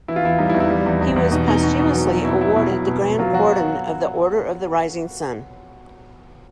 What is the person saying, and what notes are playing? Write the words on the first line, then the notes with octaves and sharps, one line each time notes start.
He was posthumously awarded the Grand Cordon of the Order of the Rising Sun.
E3 E4
F4
E2 E4
G3 D#4
E4
E2
E4
G3
E2
E2
E2
B2 D#4
B2 D#4
B2
B2
F#3
F#3
B2 E4
F#3 E4
B2 E4
F#3
B2
B2
F#3 F4
F#3 F#4